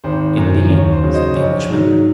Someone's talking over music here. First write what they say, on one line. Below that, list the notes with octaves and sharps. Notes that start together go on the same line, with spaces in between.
"Indeed!" said the Englishman.
G#1 C5
F#2 D#3
D#2 C#5
C5
C#3 F#3
C5 D#5
A#1 C#5
G#2 F#3